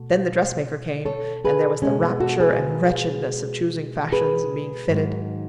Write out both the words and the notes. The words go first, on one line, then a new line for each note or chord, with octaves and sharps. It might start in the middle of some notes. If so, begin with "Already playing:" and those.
Then the dressmaker came, and there was the rapture and wretchedness of choosing fashions and being fitted.
Already playing: B2 A3
A4 C#5
G#4 B4
B2 G#3 A3 C#4
B3
F#4 A4
G#4 B4
G#4 B4
G#2 D#3 F#3